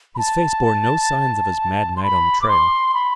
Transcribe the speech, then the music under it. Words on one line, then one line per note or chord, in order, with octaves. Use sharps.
His face bore no signs of his mad night on the trail.
B5
A5
C6
B5
D6
C6
B5